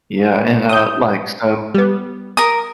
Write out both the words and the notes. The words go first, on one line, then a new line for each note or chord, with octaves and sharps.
Yeah. And, uh like, so
D#6 G6
G3 B3
A#4 D#6